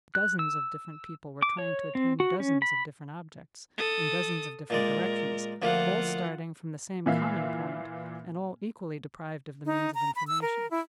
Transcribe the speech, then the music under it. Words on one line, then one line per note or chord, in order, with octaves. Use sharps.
Dozens of different people were trying to attain dozens of different objects, in dozens of different directions, all starting from the same common point and all equally deprived of the means of information.
F#6
E6
D6
C#5
C4
F#4
C#4
B5
A4 D#6
A#2 G#3 A#4 D5
D2 F3 A#3 F4 F#5
A#2 E3 E5 F5
D#4
A#5
B5
E6
A#4
E4